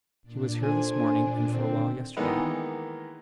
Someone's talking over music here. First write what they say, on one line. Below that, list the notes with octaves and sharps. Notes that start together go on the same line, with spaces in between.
"He was here this morning and for a while yesterday."
A#2 D4
A4 C5 G#5
D3 D#3 C4
D#3 E3 G#3 A#3 B3 D#4